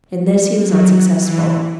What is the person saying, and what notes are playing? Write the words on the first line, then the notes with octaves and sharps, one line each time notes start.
In this he was unsuccessful.
F#3
E3